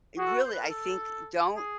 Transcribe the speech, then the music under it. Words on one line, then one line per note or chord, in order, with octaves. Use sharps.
eh really, I think, don't
F#4 G#4
A4
B4
C5
B4
A#4
A4
G#4